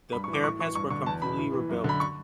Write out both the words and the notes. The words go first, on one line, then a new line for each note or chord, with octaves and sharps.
The parapets were completely rebuilt.
G2 B5
C#6
E3
D6
A2 C#6
E3 C#6
G2 C#6
D3 C#6
E2 A5
B2 B5
A2
E3
F#2
D3 B5
C#6